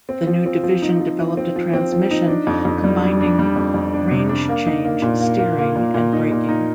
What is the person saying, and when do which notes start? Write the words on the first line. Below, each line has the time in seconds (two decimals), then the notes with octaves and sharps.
The new division developed a transmission combining range change, steering and braking.
0.09 C4
0.27 F3
0.46 C4
0.63 F3
0.82 D#4
1.00 F3
1.19 F3
1.37 C4
1.56 F3
1.73 C4
1.92 F3
2.11 D#4
2.28 D4
2.47 F2
2.65 F2
2.84 G3
3.02 D4
3.21 D4
3.39 G3
3.56 F2
3.74 F2
3.93 D4
4.11 C3
4.29 D4
4.49 A#3
4.66 D#4
4.85 A#3
5.02 A#2
5.21 A#3
5.39 A#3
5.58 A#3
5.76 A#2
5.94 A#2
6.13 D#4
6.31 A#2
6.49 D#4